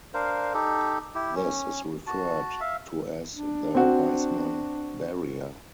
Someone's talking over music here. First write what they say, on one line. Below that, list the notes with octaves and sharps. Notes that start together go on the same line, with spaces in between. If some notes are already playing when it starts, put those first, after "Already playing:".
This is referred to as the Weismann barrier.
D4 A#4 C5 F5
D#4 G4 A4
E4 G4
C#4
F#4 A5
E5 F5
D4
C4 F#4